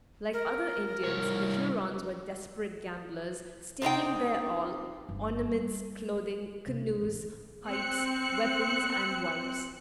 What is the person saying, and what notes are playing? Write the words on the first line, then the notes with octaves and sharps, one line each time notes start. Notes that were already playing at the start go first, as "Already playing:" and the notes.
Like other Indians, the Hurons were desperate gamblers, staking their all,--ornaments, clothing, canoes, pipes, weapons, and wives.
A#4
C2 C#5
C3 C4 D#4 G5
G1
G3
C2 D3
A1 D2
D#3
C4 F#6 C#7